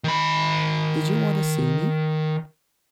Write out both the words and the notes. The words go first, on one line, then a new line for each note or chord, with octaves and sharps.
Did you want to see me?
D#3 B5